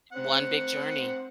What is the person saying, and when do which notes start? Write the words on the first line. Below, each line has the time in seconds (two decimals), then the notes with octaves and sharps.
One big journey,
0.13 C4 F#5